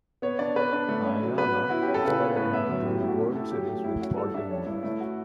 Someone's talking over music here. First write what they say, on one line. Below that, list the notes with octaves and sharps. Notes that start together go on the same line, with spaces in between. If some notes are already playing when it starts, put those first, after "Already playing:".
Ayala appeared in two World Series with Baltimore.
B3 C#5
D4 D5
B3 B4
D4
A3
C#4
F#3
B3 B4
C#4
E4 F#4
G4
C#4
A4
C#3 B4
B3 C#5
A2 B4
B3 E5
F#2
F#3 G4
E4
A3
F#4
C#4 G4
E4 A4
F#3 G4
A3
A3 E4
C#4 F#4
G3 A4
D4 E5
C#4 C#5
G2 E4
A3 E4
F#4